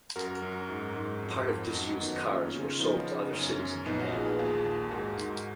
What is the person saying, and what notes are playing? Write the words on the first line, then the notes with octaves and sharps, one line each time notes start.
Part of disused cars were sold to other cities in Japan.
F#2 F#4 A#4
F#2
G#2
G#2
F2
F2
F#2 D#4 F#4
D#3 B3 D#4
A#3 C#4 F4
C#3
F3 B3 D#4
C#3
F#2 C#4
F#2
A#1 B3 D#4
D#4 F#4
A#1 F4 G#4
G#4 B4
D#2 F4 G#4
D#2
G#2 F#4 A#4
G#2